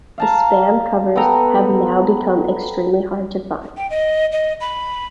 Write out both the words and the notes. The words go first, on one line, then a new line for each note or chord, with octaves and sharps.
The Spam covers have now become extremely hard to find.
F5 A5 A#5
B3 A4 G5 A#5
G5
D#5
D#5
B5